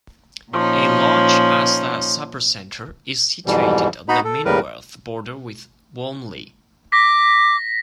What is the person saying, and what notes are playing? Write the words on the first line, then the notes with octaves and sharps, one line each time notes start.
A large Asda Supercentre is situated on the Minworth border with Walmley.
A#2 F3 C#4 D#4
F2 G#2 B2 E3 G3
B3 D#4 F#4 D#5 A#5 B5
A4
D#2 A2 C#3 G3 A#4 B4
D6 A#6 B6